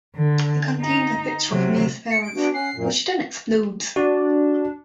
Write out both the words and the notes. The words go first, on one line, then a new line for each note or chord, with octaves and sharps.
It contains a picture of May's parents, which then explodes.
D3
D#4
C3 F#3
C#7
D7
B3 D4 F#4
C#4 F#5 C7
F#2 A#2
D4 F#4 D5